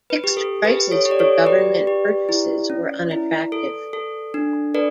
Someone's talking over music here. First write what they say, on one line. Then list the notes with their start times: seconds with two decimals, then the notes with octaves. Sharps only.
Fixed prices for government purchases were unattractive.
0.10 B4
0.24 G4
0.37 A4
0.65 G4 B4
0.91 A4 C#5
1.05 G4
1.11 D5
1.19 A4 C#5
1.46 G4 B4 D5
1.87 G4
2.29 E4
2.70 C#4
3.11 E4
3.52 A4
3.93 A4
4.34 D4
4.74 A4 B4 D5